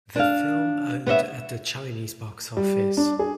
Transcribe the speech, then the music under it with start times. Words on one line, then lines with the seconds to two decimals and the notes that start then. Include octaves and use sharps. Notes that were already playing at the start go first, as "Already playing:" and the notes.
The film earned at the Chinese box office.
0.16 D4 F5
1.06 B3 C#5 D#5 E5
2.57 G3
2.97 D4
3.19 G#4